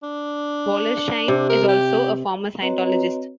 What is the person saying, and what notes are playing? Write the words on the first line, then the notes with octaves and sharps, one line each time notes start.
Wollersheim is also a former Scientologist.
D4
C3
A#4
G4
C4 F#4 B4 C#5 D#5 A#5